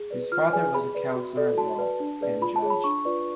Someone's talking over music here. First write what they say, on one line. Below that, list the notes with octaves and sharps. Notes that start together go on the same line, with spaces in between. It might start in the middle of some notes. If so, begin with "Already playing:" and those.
His father was a counselor-at-law and judge.
Already playing: G#4
B4 D5
F4 F6
G#4 B4 D5 G#5
G#4 B5
B4 D5
F#4
A4 D5
F#4 A5
B4 D5
D4
G#4 B4 D5
F4 B5
A5
G#4 C#5
B5
D4 C#6
F4 B4 D5